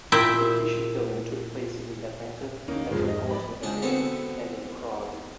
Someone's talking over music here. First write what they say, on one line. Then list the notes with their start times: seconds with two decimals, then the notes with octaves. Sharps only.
Location filming took place in the Atlanta metropolitan area and in Prague.
0.12 A#2 E4 E5 G5
2.68 D2 A#3 C#4 D#4
2.91 F2 G#2 F3 G#3
3.08 D#5
3.30 D5 B5
3.63 C#2 D4 G#4
3.82 D3 B3 C4 F#4 A4 B4